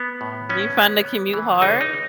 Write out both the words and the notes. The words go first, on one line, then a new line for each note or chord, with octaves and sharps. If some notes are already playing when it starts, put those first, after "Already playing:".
Do you find the commute hard?
Already playing: B3
A2
B3 C#4
B3
B3
E3
C#2 D#4
D#4